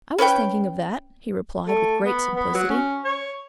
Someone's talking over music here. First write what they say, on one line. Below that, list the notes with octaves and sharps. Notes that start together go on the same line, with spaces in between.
"I was thinking of that," he replied with great simplicity.
C#4 B4 C#5 G5
A3
B3
B3
F#3
C#4
C#5